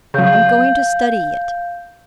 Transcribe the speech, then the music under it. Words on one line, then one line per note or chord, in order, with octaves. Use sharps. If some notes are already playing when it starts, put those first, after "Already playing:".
I'm going to study it.
C#3 F#3 F5 G6